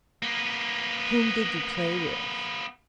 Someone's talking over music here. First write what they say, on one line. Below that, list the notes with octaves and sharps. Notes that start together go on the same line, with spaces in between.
"Whom did you play with?"
A#3 B3